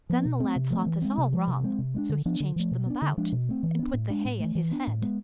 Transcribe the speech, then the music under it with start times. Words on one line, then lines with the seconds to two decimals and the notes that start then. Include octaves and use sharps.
Then the lad thought this all wrong, so he changed them about, and put the hay at his head.
0.10 F3 B3
0.25 B2
0.40 A3 C4
0.56 C3
0.70 F3 A3 C4
0.86 E3
1.02 G#3 C4
1.18 C3
1.32 F3 G#3
1.47 C3
1.64 G#3 C4
1.78 C3
1.94 G#3 B3 D4
2.09 D3
2.25 F3 B3 D4
2.40 D3
2.56 F3 A3
2.71 B2
2.86 B3 D4
3.02 D3
3.17 F3 G#3 D4
3.32 B2
3.49 A3 C4
3.63 E3
3.79 B3 D4
3.94 A2
4.10 G#3 D4
4.25 A2
4.40 E3 A3
4.55 E3
4.71 B3 D4
4.87 A2
5.02 G#3 B3